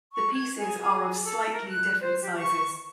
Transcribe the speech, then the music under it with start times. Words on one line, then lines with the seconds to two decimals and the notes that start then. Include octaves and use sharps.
The pieces are of slightly different sizes.
0.13 C#6
0.34 G#6
0.58 G#4
1.24 A4
1.52 A#4
1.68 F#6
2.00 C5
2.21 G4
2.37 C#6